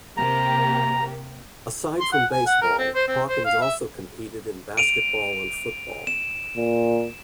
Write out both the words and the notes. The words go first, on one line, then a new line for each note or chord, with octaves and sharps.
Aside from baseball, Hawkins also competed in basketball and football.
C3 A#3 G4 A#5
C6
F#5
G#5
F#5
A#4
C4
C5
C4
C5
F5
E5
D7 D#7 F7
E7
A#2